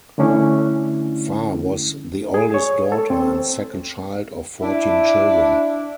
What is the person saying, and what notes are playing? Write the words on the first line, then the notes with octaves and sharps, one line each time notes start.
Far was the oldest daughter and second child of fourteen children.
D3 A3 C#4 D4 E4
G#4
C#5
A4
C4
D4 E4